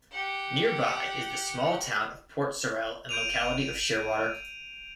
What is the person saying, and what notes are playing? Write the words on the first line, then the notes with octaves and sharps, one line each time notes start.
Nearby is the small town of Port Sorell and locality of Shearwater.
G4 F#5
G6 D7 D#7 F7